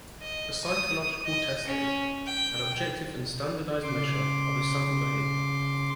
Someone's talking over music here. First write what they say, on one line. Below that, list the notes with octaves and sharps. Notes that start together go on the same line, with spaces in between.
A psychological test is "an objective and standardized measure of a sample of behavior".
D#5
D#6
D#5
C#4
G5
C#3 C6 D6